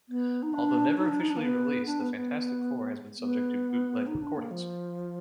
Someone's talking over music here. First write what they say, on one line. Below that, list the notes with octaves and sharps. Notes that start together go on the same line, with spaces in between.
Although never officially released, "The Fantastic Four" has been subject to bootleg recordings.
B3
D#4
D4
D#4
D4
D#4
D4
A#3
B3
D4
B3
B3
B3
D#4
D4
A#3
F3